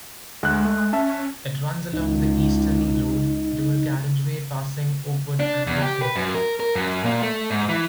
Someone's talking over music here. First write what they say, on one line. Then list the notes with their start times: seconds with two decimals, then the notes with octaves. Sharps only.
It runs along the Easterly Road dual carriageway passing Oakwood and Gipton.
0.43 D2 G#3 F#6
0.65 A3
0.93 C#4 E5 A5
1.93 C#2 D#4
5.40 D4
5.67 E2
5.82 G4
6.02 B4
6.16 F#2
6.35 A#4
6.60 A#4
6.75 F#2
7.04 A#2
7.22 A3
7.50 G#2
7.69 E3